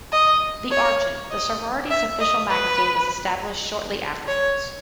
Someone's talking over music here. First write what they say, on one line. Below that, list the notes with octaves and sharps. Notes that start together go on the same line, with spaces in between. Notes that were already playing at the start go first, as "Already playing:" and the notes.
The "Archon", the sorority's official magazine was established shortly afterwards.
D#5
C#5
D#5
E5
D#5
B4
C#5